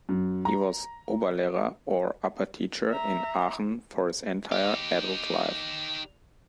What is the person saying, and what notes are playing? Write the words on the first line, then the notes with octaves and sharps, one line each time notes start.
He was Oberlehrer, or upper teacher, in Aachen for his entire adult life.
F#2
A#5
E5 A#5
D#4 G4